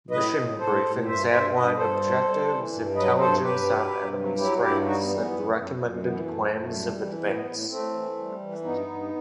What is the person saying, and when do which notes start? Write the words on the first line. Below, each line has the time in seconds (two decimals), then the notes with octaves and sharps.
Mission briefings outline objectives, intelligence on enemy strengths and recommended plans of advance.
0.11 A2 B4 D#5
0.35 A2
0.58 A2 A4 C5
0.83 A2
1.05 G2 C5 E5
1.29 G2 C5 E5
1.54 G2 B4 D#5
1.76 G2 A4 C5
2.01 G3
2.25 G3
2.48 E3
2.72 G2
2.95 F#3 B4 D#5
3.18 G2 A4 C5
3.42 G2 G4 B4
3.66 F#3
3.91 G2
4.14 F#3
4.37 F#3 E4 G4
4.61 G2 E4 G4
4.85 G3 D#4 F#4
5.01 B3
5.09 E3
5.17 B3
5.32 F#2
5.56 F#2
5.80 F#2
6.04 E3 B3
6.26 F#2 A3
6.51 F#2
6.74 G3
6.98 E3
7.22 A2 B3
7.45 A2
7.69 A2 A3 C4
7.93 E3
8.17 G3
8.40 E3
8.64 G2 B3 D#4
8.87 G2